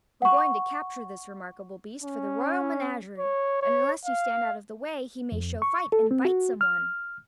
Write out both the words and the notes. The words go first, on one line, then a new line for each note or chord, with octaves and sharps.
"We're going to capture this remarkable beast for the royal menagerie, and unless you stand out of the way he may show fight and bite some one."
F#5 C#6
C#4
C#5
C#5
F5
F2
C#6
A4
C4
F#4
F6